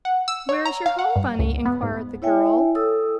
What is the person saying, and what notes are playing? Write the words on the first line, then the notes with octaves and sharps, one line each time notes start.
"Where is your home, bunny?" enquired the girl.
F#5
E6
C#5
A#5
F5
F#5
G2
C#2
B3
G#2
E4 C#5 E5 G5 G#5
A4 D#6 E6